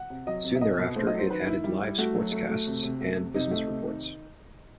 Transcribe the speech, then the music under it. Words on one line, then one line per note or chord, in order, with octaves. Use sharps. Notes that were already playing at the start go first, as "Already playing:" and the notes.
Soon thereafter, it added live sportscasts and business reports.
Already playing: F#5
C3
F#3 D#5
C3
E5
B2 D#5
B2
A3 C5
D#5
F#3
C5
D#3 B4
D#3 E4
G3 E4
G3 E4
A3 F#4
F#3
A3
A3
C3
C3
A3
C3
C3 D#4
A3
C3
D#3